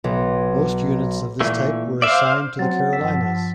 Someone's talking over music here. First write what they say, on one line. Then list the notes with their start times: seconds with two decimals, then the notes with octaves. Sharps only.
Most units of this type were assigned to the Carolinas.
0.04 B1
1.40 A#2 E3 A3
2.02 C5 D5 E5 F5
2.59 F#3 C4 F#5 A6
2.93 G2 F3 E6 B6